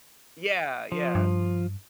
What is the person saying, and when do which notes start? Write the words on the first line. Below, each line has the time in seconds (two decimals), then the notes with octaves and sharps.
Yeah, yeah.
0.92 F3
1.15 G2